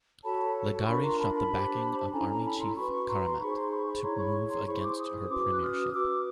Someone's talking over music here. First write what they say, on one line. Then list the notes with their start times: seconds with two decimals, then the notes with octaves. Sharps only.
Leghari sought the backing of the Army Chief, Karamat, to move against her premiership.
0.24 F#4 A4 C#5 A5 B5
0.86 D4 F4 A#4 B5 C#6
1.02 A#5 C6
1.18 A5 B5
1.34 A5 B5
1.50 D4 G4 C5
2.13 C#4 E4 A4 G#5 A#5
2.30 G#5 A#5
2.45 A5 B5
2.60 A#5 C6
2.76 F#4 B4 B5 C#6
2.92 B5 C#6
3.08 A#5 C6
3.27 C6
3.39 D#4 G#4 C5 B5 C#6
3.55 A#5 C6
3.71 B5 C#6
3.87 B5 C#6
4.02 E4 G#4 C#5 A#5 C6
4.18 B5 C#6
4.50 A#5 C6
4.66 E4 G#4 C5 B5 C#6
4.82 C6 D6
4.98 C#6 D#6
5.29 C#4 F#4 B4 C6 D6
5.53 F#6
5.61 D#6 F6
5.93 F#4 B4 D6 E6